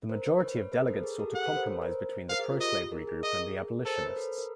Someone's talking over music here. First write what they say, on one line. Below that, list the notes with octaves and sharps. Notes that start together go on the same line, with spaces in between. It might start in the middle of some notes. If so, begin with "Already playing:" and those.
The majority of delegates sought a compromise between the pro-slavery group and the abolitionists.
A#4 C5
A#4 C5
B4 C#5
B4 C#5
A#4 C5
A4 B4
G#4 A#4
G4 A4
G4 A4 F#5
A4 B4
A#4 C5
B4 C#5
A#4 C5
A#4 C5 F5
G#4 A#4
F4
G4 D#5
G#4 A#4
G#4 A#4
D#5
A4 A#4 C5
B4 C#5
A#4 C5
A4 B4
A#4